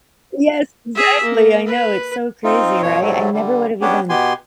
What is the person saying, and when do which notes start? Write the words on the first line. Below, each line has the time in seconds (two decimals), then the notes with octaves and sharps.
Yes, exactly, I know, it's so crazy, right? I never would've even
0.95 G#4 E5
1.23 A#3
1.66 B4
2.44 C4 D#4 F4
2.82 F#2 B2 F3 C#5
3.01 G#2 F#3 G3 A3
3.33 D3 G3
3.81 B3 C#4 D4 G4
4.09 B2 B3 G4 G#5 C6